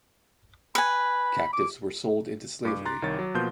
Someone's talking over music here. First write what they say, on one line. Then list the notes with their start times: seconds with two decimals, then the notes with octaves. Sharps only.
Captives were sold into slavery.
0.75 B4 G#5 B5
1.53 D6
2.65 G2 D6
2.85 A#5 C6 F#6 A6
3.02 C2 D#3 C#5 A6
3.19 F#3
3.34 B2 F3 A#3 C6 G6